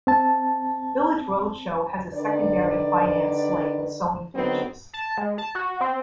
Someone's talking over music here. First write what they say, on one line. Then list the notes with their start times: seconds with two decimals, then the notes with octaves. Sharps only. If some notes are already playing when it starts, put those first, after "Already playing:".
Village Roadshow has a secondary finance slate with Sony Pictures.
0.07 C4 A5
2.15 D3 D#3 D4 B4 D5
4.35 D3 D#3 F#3 B3 C4 F#4
4.93 A5
5.18 G#3
5.38 A5
5.55 F#4
5.81 C4